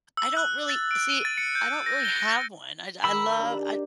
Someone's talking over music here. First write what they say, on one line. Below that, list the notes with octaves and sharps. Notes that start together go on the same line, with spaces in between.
I don't really see, I don't really have one. I I love I I I
E6
F#6
A6
D7
D#7
A6
C#7
G6
A#6
G7
A#6
D#3 B5 E6
D4 G4